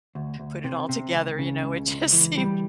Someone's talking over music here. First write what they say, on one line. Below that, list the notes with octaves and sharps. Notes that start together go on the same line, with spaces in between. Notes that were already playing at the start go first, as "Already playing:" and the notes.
put it all together, you know, it just seemed
D2
D2
C3
C3
C#2
C#3
C#2
C#2
E3
G3